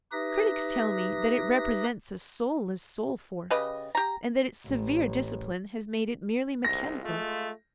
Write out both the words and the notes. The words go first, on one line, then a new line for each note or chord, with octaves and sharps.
Critics tell me that it represents a soulless soul-force and that its severe discipline has made it merely mechanical.
D#4 G4 B4 E5 D#6 A#6
C#3 G4 B4 D#5
G4 A#5
A1
C2 G#2 A#6
G#3 A3 F4